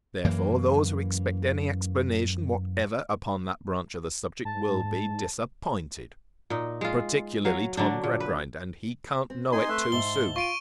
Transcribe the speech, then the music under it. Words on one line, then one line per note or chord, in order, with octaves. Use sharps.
Therefore those who expect any explanation whatever upon that branch of the subject, will be disappointed—particularly Tom Gradgrind, and he can’t know it too soon.
F#2 E3 A#3
G#2 A5
A#2 D#4
G#3 F4
F#3 F5
D3 F#3 D4
A#2
B4
C4
D#4 G#5 C6
A3 B4 E5
G#2 E5 A5 G7
F4 C#6 D7 D#7